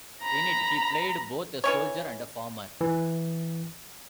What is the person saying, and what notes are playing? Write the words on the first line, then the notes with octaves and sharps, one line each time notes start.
In it, he played both a soldier and a farmer.
A#5 B5
E3 C#4 C#5
E3